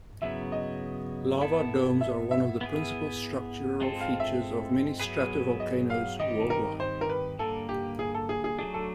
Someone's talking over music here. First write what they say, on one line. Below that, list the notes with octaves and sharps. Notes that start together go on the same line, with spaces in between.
Lava domes are one of the principal structural features of many stratovolcanoes worldwide.
C#3 F#3 B3 E4 E5
D#5
B3 E4 A4
E5
E5
B3 E4 G#4
G#3 C4 F4 A4
F5
E5
F#3 B3 E4 G#4 B4
D#5
F5
D#3 G3 C4 D#4 G4 D#5
A#4
C5
A#4
B4
D3 G3 A#3 A4
G4
G#4
A4
G#4
G#4
F#3 A3 D4 G#4
A4